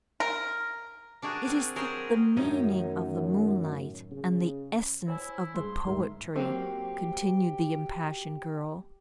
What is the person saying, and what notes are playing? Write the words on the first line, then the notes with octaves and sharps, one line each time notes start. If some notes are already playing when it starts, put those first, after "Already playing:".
"It is the meaning of the moonlight, and the essence of the poetry," continued the impassioned girl.
A#4
D4 F#4 G#4 A#4
C4
F#3 G#4 A#4 C5
F#2 A2 D#3 C#4 D#4
C#3
E4 C5 C#5 G#5
G2 G#4 C6
D1 G#2 A#4 E5
F#3 A#3 C4 G4